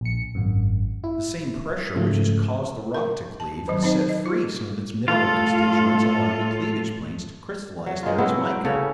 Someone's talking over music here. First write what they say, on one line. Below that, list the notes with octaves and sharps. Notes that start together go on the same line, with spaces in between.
The same pressure which has caused the rock to cleave has set free some of its mineral constituents along the cleavage planes to crystallize there as mica.
A#1 C#7
G#1 F#2
E4
G#2 C#3 F3 A3
A#4
A5
D#3 F#3
C4 D#4 C5 D#5
D#5
F4
A2 F4 A4
F#3
G#3 F4
F#3 B3 C4 E4
G5
C#3 C#4 A4 C#5